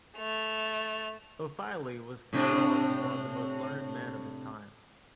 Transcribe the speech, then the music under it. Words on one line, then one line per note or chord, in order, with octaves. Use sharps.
O'Fihely was acknowledged as one of the most learned men of his time.
A3 F7
A2 C3 D4